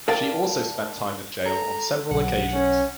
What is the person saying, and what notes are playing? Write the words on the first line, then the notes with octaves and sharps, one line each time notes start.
She also spent time in jail on several occasions.
A#4 D5 F5 G5 A5
A4 A#5
B1 F#5
C#4